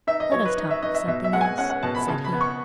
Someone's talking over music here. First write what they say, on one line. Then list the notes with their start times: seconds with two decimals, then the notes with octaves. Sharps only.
"Let us talk of something else," said he.
0.07 D#4 E5
0.20 D#5
0.32 F#3 C#5
0.46 B4
0.57 D#4 D#5
0.71 E5
0.82 D#4 D#5
0.95 E5
1.07 B2 E5
1.24 E5
1.33 G#3 F#5
1.41 G#5
1.58 C#4 F#5
1.70 F#5
1.83 B2 A5
1.95 B5
2.08 C#3 A5
2.25 B5
2.33 B3
2.41 C#6